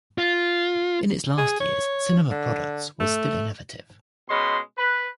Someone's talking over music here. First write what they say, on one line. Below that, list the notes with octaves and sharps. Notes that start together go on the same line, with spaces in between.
In its last years, Cinema Products was still innovative.
F4
G#4
C#5
D3
A3
B2 G#3 C#4 B5 C6
B4